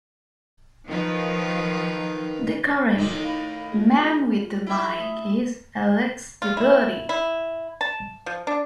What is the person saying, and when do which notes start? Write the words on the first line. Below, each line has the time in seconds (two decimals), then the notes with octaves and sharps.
The current "Man with the Mic" is Alex Davoodi.
0.89 D#3 F3 F4 B4
2.98 A2 D#3 D#4
3.23 F5 B5
3.72 F4 G#4
4.66 E4 E5
4.98 A3 D#6
6.42 F4
6.57 E4
7.09 E4
7.81 A5
8.26 F3
8.47 D4